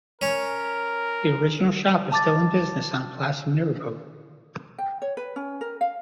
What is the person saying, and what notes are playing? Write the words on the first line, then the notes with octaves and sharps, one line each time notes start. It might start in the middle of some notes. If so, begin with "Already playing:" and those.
The original shop is still in business on Place Mirabeau.
C#4 A#4 C#5
A5 D6 A6
G5
C#5
B4
C#4
A#4
F5